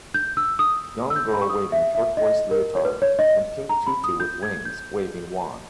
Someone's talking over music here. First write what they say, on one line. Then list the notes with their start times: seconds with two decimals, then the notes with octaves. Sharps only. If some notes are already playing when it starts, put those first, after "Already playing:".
Young girl waving turquiose leotard and pink tutu with wings waving wand.
0.14 G6
0.37 E6
0.59 D#6
1.10 E6
1.16 G6
1.33 B5
1.42 C#6
1.50 D#6
1.72 E5
1.95 E5
2.17 D#5
2.51 A#4
2.75 C#5
2.85 B4
3.02 C#5
3.19 D#5
3.69 A#5
3.86 B5
4.04 D#6
4.20 G6
4.43 G#6
4.65 G6